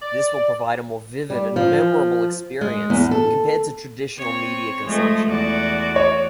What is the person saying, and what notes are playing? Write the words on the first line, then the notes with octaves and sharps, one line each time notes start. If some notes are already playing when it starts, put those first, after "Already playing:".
This will provide a more vivid and memorable experience compared to traditional media consumption.
D5
G3
F3
G#3
E2
A4
C4 C#5
F3 G#3 A3
E2 F#4 D5
C#5